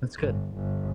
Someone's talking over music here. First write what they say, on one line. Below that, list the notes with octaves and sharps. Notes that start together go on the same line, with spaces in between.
That's good.
G1
G1